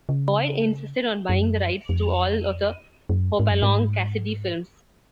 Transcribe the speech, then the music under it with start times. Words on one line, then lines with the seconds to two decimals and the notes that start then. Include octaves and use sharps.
Boyd insisted on buying the rights to all of the Hopalong Cassidy films.
0.09 C#3
1.29 F#2
1.89 F2
3.09 F#2
3.40 G#2
3.51 F#2
3.63 G#2